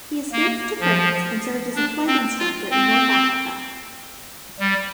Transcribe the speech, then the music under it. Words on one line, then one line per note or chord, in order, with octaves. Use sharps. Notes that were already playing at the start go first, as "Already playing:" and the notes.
He escaped to France and served as a flight instructor in North Africa.
A#3
F3
D4
C4
F4
C4
G3